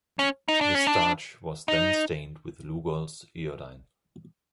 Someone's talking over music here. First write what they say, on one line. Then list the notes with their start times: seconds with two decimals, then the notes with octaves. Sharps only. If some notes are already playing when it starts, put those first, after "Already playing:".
The starch was then stained with Lugol's iodine.
0.19 C#4
0.48 D#4
0.61 D4
0.75 C#4
0.87 D4
1.68 D#4